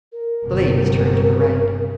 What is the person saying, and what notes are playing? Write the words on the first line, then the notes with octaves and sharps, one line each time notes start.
The ladies turned to the right.
A#4
G1 C3